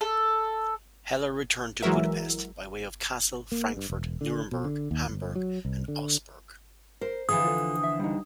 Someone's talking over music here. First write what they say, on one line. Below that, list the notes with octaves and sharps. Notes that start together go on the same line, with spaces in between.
Heller returned to Budapest by way of Kassel, Frankfurt, Nuremberg, Hamburg, and Augsburg.
A4
E3 F#3 G#3 F#4 A#4 E5
A#3
G2
E1
D3
B2
D3
D#2
G1
F#3
C2
D3
A#4 C5
D3 E3 F3 G#4 D#6
F4 A4
E5
G3 D#4